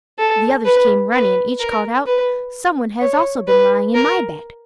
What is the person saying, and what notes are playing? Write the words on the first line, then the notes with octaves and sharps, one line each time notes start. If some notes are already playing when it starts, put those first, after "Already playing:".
The others came running, and each called out, "Some one has also been lying in my bed."
A4
B4
B4
A#4
B4
C#5
B4
A#4